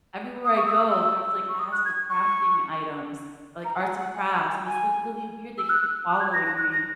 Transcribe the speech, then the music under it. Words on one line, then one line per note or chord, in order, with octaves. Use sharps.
everywhere I go, there's, like, ads for crafting items, like arts and crafts, and it's, like, really weird. They keep following me.
D#6
C#6
E6
D#6
E6
C#6
D#6
F#6
G#6
C#6
A#5
F#5
G#5
F#5
G#5
F#5
G#5
G#5
E6
F#6
F#6
G#6
A#6
A#6
F#6
A#6